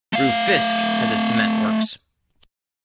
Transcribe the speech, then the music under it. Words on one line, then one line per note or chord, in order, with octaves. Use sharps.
Rufisque has a cement works.
A3 F5